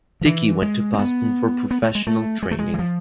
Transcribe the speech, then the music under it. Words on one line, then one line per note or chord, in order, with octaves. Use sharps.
Dickey went to Boston for professional training.
F3
E3
G#3
C4
B3
B3
A3
G#3
A3
G#3
A3
G#3
E3
F3